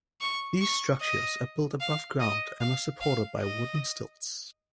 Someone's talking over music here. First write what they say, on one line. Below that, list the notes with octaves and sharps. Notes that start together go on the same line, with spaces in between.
These structures are built above ground and are supported by wooden stilts.
C#6
C#6
D#5
F5
D#5
F5
F5
D#5